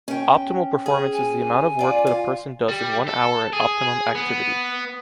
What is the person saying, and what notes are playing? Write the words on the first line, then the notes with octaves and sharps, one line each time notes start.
Optimal performance is the amount of work that a person does in one hour at optimum activity.
C#4 G5
G#4
G#5
F4 D5
F4
G3
A4
G#4
B3